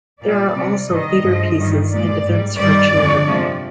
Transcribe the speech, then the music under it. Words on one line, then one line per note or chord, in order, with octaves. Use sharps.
There are also theatre pieces and events for children.
A#2 G3 D5
C3 G3
G#2 D#3 G3 D#5
G2 F3 G#3
G2 D#3 G3
A#2 G#3 D5
G#2 G3
G2 D#3 G3 D5
F2 D3 G#3
C3 F3 G#3